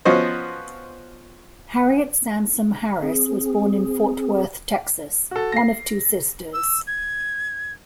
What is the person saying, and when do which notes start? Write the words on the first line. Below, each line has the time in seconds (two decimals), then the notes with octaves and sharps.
Harriet Sansom Harris was born in Fort Worth, Texas, one of two sisters.
0.05 F3 B3 C#4 F#4 C5 D#5
3.02 C4 G#4
5.31 F#4 A4
5.52 A#6 C7
6.54 E6
6.87 G#6